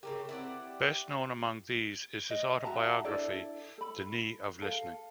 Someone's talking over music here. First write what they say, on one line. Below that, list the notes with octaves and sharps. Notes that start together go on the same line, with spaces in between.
Best known among these is his autobiography, The Knee of Listening.
C#3 A3 G4 A#4
C4 E4 D5 F#5
G4
D#5
F#4 E5 A5 A#5
D4 E4 A4 D5
A4 B5
A4 F5